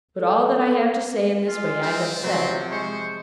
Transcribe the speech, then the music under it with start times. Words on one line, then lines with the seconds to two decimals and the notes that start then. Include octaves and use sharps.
But all that I have to say in this way, I have said.
0.17 A4
1.48 G#3 F4
1.83 C4
2.23 C3 F3 F#3 C5
2.71 G#3 C5 C#6